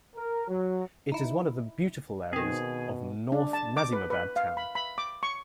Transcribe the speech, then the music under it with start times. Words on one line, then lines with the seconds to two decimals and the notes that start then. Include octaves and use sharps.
It is one of the beautiful areas of North Nazimabad Town.
0.16 A#4
0.48 F#3
1.12 D#4 E4
2.33 B2 D#3 C4 G#4
3.32 D4
3.53 A5
3.77 D6
3.93 B4
4.10 B4
4.36 F5
4.57 B5
4.75 B5
4.98 D6
5.23 C#6